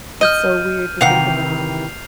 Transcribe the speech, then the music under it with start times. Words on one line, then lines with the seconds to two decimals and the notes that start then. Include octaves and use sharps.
It's so weird to think about.
0.21 D#5 F6 G6 D#7
1.01 C3 D#3 E3 F5 F#5 C7 F7